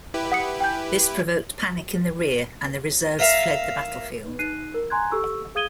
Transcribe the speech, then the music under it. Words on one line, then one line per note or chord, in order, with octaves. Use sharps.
This provoked panic in the rear and the reserves fled the battlefield.
E4 G4 B4
F#5 D#6 C#7
G5 G#5 G6
A#4 E5 F5
D#4 F#6 C7 D#7
A#4
G#5 A#5 C6 F#6 G#6
G4 A4 C#6 E6
G#4 F5 D#6 G#6 D#7 G7